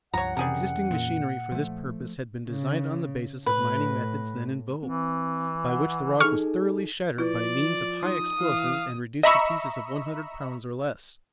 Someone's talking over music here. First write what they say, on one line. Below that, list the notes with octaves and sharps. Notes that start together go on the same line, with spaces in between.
Existing machinery for this purpose had been designed on the basis of mining methods then in vogue, by which the rock was thoroughly shattered by means of high explosives and reduced to pieces of one hundred pounds or less.
C#2 G2 F3 C#5 F#5 A#5
F2 C3 E3 G3 C#4 G#4 A#4
A#2
F3 A3
C#3
A2 B4
E3 C4
F#5
D#4 G#4 A4 C#6 F6
F3 E4 B4 D5
D#4 D#6
E3 F5
D#5 E5 A#5 B5 C#6 E6